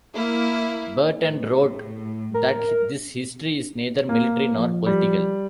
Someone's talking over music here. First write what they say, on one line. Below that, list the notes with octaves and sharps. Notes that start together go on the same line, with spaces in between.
Berton wrote that this history is neither military nor political.
A#3 E4
A2
A#4
A#3
F3
G3